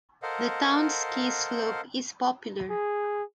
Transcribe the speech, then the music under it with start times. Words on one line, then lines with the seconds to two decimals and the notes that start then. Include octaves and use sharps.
The town's ski slope is popular.
0.22 A4 A#4 C5 D#5 F5 F#5
2.70 G#4